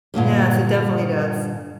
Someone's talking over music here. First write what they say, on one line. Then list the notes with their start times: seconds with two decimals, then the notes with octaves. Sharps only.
Yes, it definitely does.
0.14 G2 A#2 D3 G3